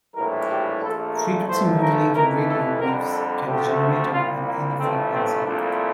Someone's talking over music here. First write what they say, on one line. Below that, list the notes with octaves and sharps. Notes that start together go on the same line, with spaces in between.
Frequency-modulated radio waves can be generated at any frequency.
A#1 A2 E3 G3 A#4
G4
A#1 A#2 F3 A3 A4
A#4
A1 A2 F3 A3 C5
A#4
F2 E3 A3 A#4
A4
F2 D3 G3 A#4
A4
D2 C3 F3 A3 G4
C2 A#2 G3 F4
A#3
A1 G2 F3 A3 C4
C4
C2 A#2 F3 A3 D4